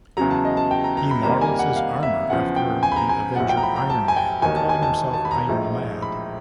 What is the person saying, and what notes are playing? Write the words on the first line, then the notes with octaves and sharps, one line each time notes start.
He models his armor after the Avenger Iron Man, calling himself Iron Lad.
E2 C#3 F#3 A#5
A5
D#5
A5
G5
A#5
A#5
B5
F2 C3 D#3 G3 A#3 A#5
G#5
F#5
F5
E5
E2 C#3 F3 F#5
G5
G#5
B5
A#5
G#5
B1 A2 F3 F#5
G5
A#5
B5
A#5
A5
G#5
G5
E1 D#2 D#3 G#5
A5
G#5
A5
A5
B5
A#5
A#1 A2 F3 G#3
B5